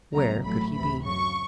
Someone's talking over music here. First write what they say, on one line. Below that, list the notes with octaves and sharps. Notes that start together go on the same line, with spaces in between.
Where could he be?
C#2 C3 D#3 F#3 A#3 A#5
A1 A2 F#3 A3 B5
D2 C3 E3 B5
F#2 C#3 F#3 C#6